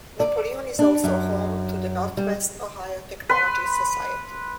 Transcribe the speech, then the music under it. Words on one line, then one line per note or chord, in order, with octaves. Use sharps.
Napoleon is also home to the Northwest Ohio Technology Society.
D5
D4
F#2
G3
B4 C6